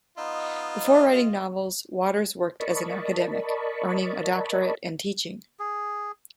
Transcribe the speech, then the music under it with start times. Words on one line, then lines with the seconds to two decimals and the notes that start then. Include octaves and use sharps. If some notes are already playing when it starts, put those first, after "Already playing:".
Before writing novels, Waters worked as an academic, earning a doctorate and teaching.
0.18 B3 D#4 F4 D#5 E6
2.60 A#4 D5 D#5 A5 B5 C#6
5.59 G#4